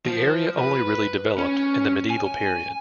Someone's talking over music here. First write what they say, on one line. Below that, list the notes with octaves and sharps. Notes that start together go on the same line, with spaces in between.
The area only really developed in the medieval period.
F3 F4
B4
C#4
G#5